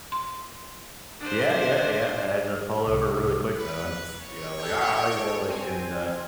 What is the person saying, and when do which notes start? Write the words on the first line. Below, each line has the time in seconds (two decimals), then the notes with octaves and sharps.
Yeah, yeah, yeah, I had to pull over really quick though, and just, you know, like, "Ah!" you know, like, and, uh
0.12 C6
1.20 D4 C5
2.86 C2
3.58 B4
4.19 C#5
4.59 A4 G5
5.49 C4 G#5